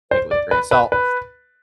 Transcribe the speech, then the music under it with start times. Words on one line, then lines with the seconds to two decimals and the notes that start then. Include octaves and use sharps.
take it with a grain of salt.
0.11 C5
0.31 D5
0.51 B4
0.71 B4
0.92 B4